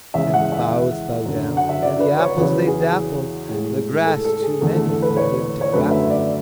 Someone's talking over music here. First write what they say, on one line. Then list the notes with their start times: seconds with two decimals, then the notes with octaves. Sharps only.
And the boughs bow down, and the apples they dapple The grass, too many for him to grapple.
0.14 E2 C#3 G#3 E5
0.33 F#5
0.52 E5
1.26 F#2 D3 F#3
1.57 F#5
1.69 E5
1.82 D5
2.00 B4
2.19 C#5
2.37 E2 C#3 F#3 B4
2.66 G#4
3.49 A2 G#3
4.05 A4
4.24 A4
4.42 G#4
4.61 E2 D3 A3 A4
4.75 A4
4.89 A4
5.02 B4
5.17 C#5
5.61 C#5
5.73 F#2 D3 A3 B4
5.91 E5
6.10 D5